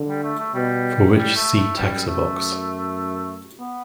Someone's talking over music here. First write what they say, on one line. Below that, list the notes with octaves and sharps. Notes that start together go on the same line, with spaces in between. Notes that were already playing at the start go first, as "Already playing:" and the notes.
For which see taxobox.
Already playing: D3
G3
A3
A3
B2 G3
A2 G3
A3
A3
F#2 G3
A3
B3